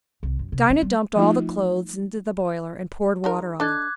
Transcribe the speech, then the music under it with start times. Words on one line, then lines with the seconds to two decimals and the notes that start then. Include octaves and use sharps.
Dinah dumped all the clothes into the boiler and poured water on them.
0.23 C2
0.39 F#2
0.52 C3
0.70 C#4 E4
0.82 G3
1.16 F3 A3 D#4 F4
3.24 G#3 D#4 A#4
3.60 D4 A4 D#5 D6 F#6 G#6